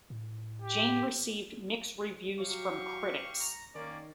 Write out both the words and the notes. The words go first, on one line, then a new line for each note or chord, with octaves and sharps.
Jane received mixed reviews from critics.
A2
G4
F#3 G4 F5 C#6
A#5
D#3 A#3 C#4 D5